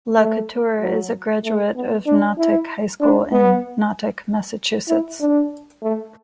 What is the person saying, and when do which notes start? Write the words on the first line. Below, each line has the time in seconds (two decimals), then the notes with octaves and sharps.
LaCouture is a graduate of Natick High School in Natick, Massachusetts.
0.19 A3
0.81 F#3
1.44 A3
1.76 B3
2.07 D4
2.38 E4
3.00 D4
3.32 B3
4.89 E4
5.21 D4
5.83 A3